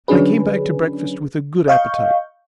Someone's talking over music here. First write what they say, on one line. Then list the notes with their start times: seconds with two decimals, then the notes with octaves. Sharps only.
I came back to breakfast with a good appetite.
0.08 D3 F#3 C#4 D4 G#4 B4
1.68 D#5 F5 C#6 G6